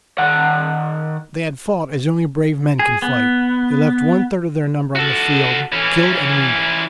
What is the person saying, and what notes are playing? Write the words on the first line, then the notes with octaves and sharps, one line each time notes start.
They had fought as only brave men can fight; they left one-third of their number on the field, killed and wounded.
D#3 F#5
G#4
B3
F#4 A4
E3 C#4